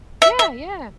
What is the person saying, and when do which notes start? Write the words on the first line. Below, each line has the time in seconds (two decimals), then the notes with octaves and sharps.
Yeah, yeah.
0.22 E5
0.39 E5